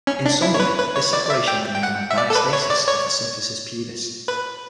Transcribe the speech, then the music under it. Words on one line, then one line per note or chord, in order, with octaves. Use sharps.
In some women this separation can become a diastasis of the symphysis pubis.
C#4
D4
E4
C#5
B4
B4
C#5
D5
D5
E5
G5
G5
F#5
E5
D5
A4
B4
C#5
D5
C#5
B4